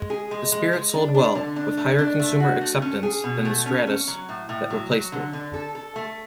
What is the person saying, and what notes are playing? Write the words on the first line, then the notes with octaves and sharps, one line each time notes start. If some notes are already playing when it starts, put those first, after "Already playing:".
The Spirit sold well; with higher consumer acceptance than the Stratus that replaced it.
Already playing: G#3
G#4
G#3
G#3
G#3
D4
D4
D3
D4
A3
D4
A3
F#4
A3
C#4
G#4
B2
A3
C#4
C#4
F#3
A2
A2
F#3
F#3
D3
D3
A4
A4
A3